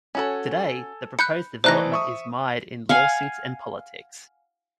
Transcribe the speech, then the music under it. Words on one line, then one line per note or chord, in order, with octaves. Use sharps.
Today, the proposed development is mired in lawsuits and politics.
C#4 F#4 A4 C#5 G#5
B5 F#6 G6 C#7
E3 A3 D#4 C5 D5 F#6 A#6
E5 C#6 D#6
F5 F#5 G#5